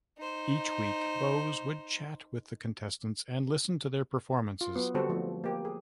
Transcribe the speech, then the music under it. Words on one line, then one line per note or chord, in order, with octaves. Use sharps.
Each week, Bowes would chat with the contestants and listen to their performances.
D#4 C5
F4
F#3 B3
D3 G3 C4 F#4 A4 C5
F3 A3
A#3 G4
G#4